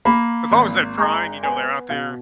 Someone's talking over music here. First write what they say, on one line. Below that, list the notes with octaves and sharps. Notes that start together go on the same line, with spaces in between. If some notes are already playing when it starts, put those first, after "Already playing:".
As long as they're trying, you know, they're out there
A#3 B5
G#1
G#3 A#5
B3 G#5
B2 F5